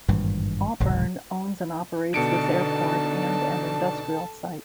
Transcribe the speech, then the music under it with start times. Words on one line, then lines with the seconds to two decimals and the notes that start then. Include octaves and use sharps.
Auburn owns and operates this airport and an industrial site.
0.09 G#1 G2 A#2 E3
0.80 E1 C2 G#2 G#3
2.14 B2 D3 D4 D#4 A4 A5 C#7 D7